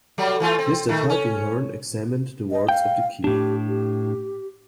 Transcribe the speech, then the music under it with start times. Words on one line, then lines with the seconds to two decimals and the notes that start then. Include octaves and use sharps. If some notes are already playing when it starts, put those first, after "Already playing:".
Mr. Tulkinghorn examined the wards of the key.
0.18 F#3 G3 A3
0.40 E3 A3 F4
0.59 C4
0.89 D#3 A3
1.10 C#4
2.51 D#5
2.69 F5 G5
3.24 A2 D4 G4
3.68 G4